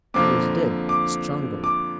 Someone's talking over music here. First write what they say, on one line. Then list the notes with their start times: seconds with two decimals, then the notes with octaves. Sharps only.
He was dead--strangled.
0.14 F2 D3 F3 A#3 D6
0.89 D6
1.64 D6